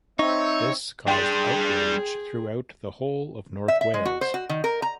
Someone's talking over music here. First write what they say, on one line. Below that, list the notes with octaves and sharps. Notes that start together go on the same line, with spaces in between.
This caused outrage throughout the whole of North Wales.
C4 D#4 C#5 E5
G3 D4 G#4 G5 C6
E5
E5
G#3
F#4
C5
F#4
D#3
A#4
A#5